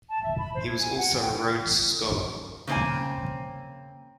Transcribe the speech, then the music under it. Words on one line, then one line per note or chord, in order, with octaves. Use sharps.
He was also a Rhodes Scholar.
A5
E5
B5
C5
G#6
G#5
F#5
G5
C#3 A#3 C4 D5 G#5